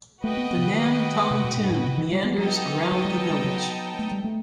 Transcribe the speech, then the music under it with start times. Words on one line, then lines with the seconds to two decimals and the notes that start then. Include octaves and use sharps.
The Nam Ton Tun meanders around the village.
0.24 A3 F#4 B4 D#5 G5
0.37 B3
0.51 B3
0.57 C3
0.64 D#3
1.31 C3
1.44 B2
1.57 G2
1.71 A2
1.84 C3
1.98 E3
2.12 G3
2.25 B3
2.37 F#3 B3 D#4 A4 D#5 G5
2.92 F#3
3.05 G3
3.18 F#3
3.31 G3
3.45 F#3
3.99 A3
4.11 G3
4.24 A3